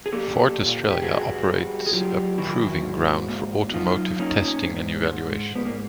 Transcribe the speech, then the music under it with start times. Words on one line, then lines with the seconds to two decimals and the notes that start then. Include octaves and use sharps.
Ford Australia operates a proving grounds for automotive testing and evaluation.
0.06 G#4
0.12 A#3 G4 A4
0.57 A#2
0.90 G4
1.02 G2 F#4 G#4
1.48 G3
1.86 G#4
1.93 F#3 F4 G4
2.38 D#3 E4 F#4
2.83 G#2
3.29 A#3
3.74 F#3 D#4 F4
4.19 A#3 C#4 D#4
4.65 G#2
5.10 G#2
5.55 G#2 B3
5.65 A#3